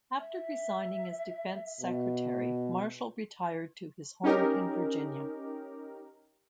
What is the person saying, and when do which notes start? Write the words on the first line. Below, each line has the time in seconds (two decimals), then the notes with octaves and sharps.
After resigning as Defense Secretary, Marshall retired to his home in Virginia.
0.19 E5
1.81 B2
4.24 C#4 D#4 G4 A#4